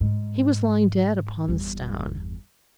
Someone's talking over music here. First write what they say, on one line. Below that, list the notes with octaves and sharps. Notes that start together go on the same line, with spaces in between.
He was lying dead upon the stone.
G#2
G1 E2